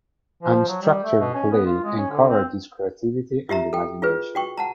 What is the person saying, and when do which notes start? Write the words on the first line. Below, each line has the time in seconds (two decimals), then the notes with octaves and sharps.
Unstructured play encourages creativity and imagination.
0.43 F3
0.68 F#3
0.82 G3
1.04 A3
1.20 B2
1.34 C#4
1.51 B3
1.66 F4
1.84 G#3
1.97 C#4
2.10 D3
2.29 C4
3.49 F4 G4 E5 A#5
3.73 A4 G5
4.02 F4 G#4 B4
4.35 F#4 G5 C#6
4.57 F#5 A5 A#5